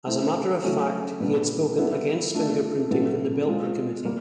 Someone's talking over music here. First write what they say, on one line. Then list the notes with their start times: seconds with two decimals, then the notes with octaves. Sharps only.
As a matter of fact, he had spoken against fingerprinting in the Belper Committee.
0.06 A3 C4 E4
0.64 C#3 F#3 A3 C#4
1.20 A#2 G3 B3 D4
1.77 G3 B3 E4 A4
2.34 A3 D4 F4 A4
2.91 A#2 F#3 B3 E4 A4
3.48 G#3 C4 F4
4.04 G3 A#3